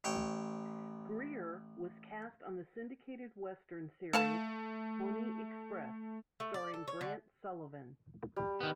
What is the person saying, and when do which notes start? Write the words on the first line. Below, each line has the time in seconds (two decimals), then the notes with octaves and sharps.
Greer was cast on the syndicated western series "Pony Express", starring Grant Sullivan.
0.04 A1 C#5 G5
4.13 A3 A4 F5 A5
6.40 A3
6.54 D5
6.74 A4
6.88 C#5
7.01 D3
8.36 G3
8.61 D#3 B3